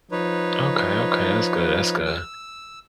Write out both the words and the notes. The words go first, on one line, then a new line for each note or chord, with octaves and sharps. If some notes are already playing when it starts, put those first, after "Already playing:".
Okay, okay, that's good, that's good,
F3 D#4 B4 C#5
E6